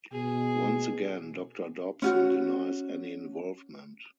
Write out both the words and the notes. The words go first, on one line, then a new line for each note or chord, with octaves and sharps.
Once again, Doctor Dobson denies any involvement.
B2 G#4
C#4 F4 F#4